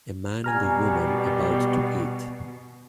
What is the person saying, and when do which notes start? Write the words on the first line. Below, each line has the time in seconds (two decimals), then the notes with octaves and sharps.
A man and a woman about to eat.
0.44 B2 G3 G#5 A#5 F6